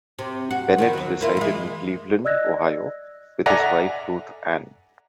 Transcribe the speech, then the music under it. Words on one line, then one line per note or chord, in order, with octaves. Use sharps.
Bennett resided in Cleveland, Ohio, with his wife Ruth Ann.
C3
F#4
D#3 F3 B3
D#2 F#3
A#3 E4 F4
E3 G#3
D5 D#5 E6 F#6 G#6 A#6
A4 D5 E5 F#5 G#5 A#5